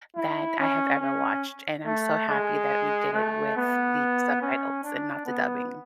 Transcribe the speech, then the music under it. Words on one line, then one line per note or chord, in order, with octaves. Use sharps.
that I have ever watched, and I'm so happy that we did it with the subtitles and not the dubbing.
E4
C#4
C#4
A3
G#3
A3
B3
C#4
D4
B3